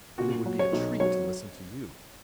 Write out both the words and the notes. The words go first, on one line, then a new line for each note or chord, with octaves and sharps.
But it would be a treat to listen to you.
A#2 F#4
F#3
C#5
B1
F#3 C#5